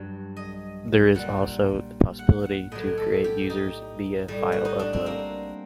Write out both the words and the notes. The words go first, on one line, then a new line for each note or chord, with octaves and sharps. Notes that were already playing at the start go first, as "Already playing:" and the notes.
There is also the possibility to create users via file upload.
Already playing: G2 F#3
D#5
A#2 G3 F#5
F#5
F#5
A2 F#3 D#5
A4
G4
D#4
A2 G3
F#4
D#4
D4
C4
A#3